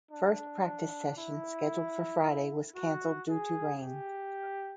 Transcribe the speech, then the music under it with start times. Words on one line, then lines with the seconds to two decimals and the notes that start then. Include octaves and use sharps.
First practice session scheduled for Friday was cancelled due to rain.
0.11 D4
0.65 D4
1.17 E4
2.76 F#4
3.29 G#4
3.82 G4